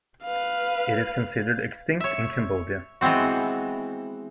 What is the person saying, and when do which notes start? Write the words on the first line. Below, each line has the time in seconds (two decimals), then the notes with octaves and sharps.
It is considered extinct in Cambodia.
0.24 B4 F5
2.00 C#5 E5
3.01 E3 G#3 B3 C4 F#4